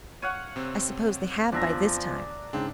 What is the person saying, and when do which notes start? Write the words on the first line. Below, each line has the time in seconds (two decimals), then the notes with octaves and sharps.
"I suppose they have by this time."
0.22 C#5 F5 F#5 D#7
0.56 C3 C4
1.52 E2 F3 D4 E5 A#5
2.53 G#2 C#3 C4 D4